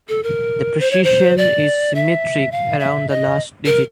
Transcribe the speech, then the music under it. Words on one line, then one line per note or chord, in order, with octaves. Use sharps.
The precision is symmetric around the last digit.
A4
A#4
C5
C#5
C5
D5
E5
F5
E5
D#5
A#4